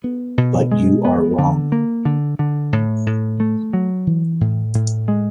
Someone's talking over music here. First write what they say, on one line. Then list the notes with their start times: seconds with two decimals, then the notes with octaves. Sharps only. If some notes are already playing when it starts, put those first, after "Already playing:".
But you are wrong.
0.04 B3
0.38 B2
0.72 G#3
1.05 B3
1.38 D3
1.72 A#3
2.05 D3
2.39 D3
2.73 A2
3.06 A2
3.40 A3
3.73 F#3
4.07 E3
4.41 A2
4.74 A2
5.08 G#3